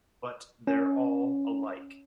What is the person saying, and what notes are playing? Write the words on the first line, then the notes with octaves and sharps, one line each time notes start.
But they’re all alike.
C#4